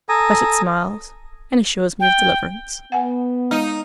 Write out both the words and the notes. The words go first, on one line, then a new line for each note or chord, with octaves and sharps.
But it smiles--it assures me of deliverance.'
A4 G#5 A#5 D#6
G5
B3 F#5 G#5
G#3 D#4